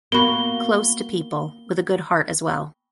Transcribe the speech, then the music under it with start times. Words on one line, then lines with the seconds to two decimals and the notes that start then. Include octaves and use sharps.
Close to people, with a good heart as well.
0.12 A#3 B3 F#4 B5 G7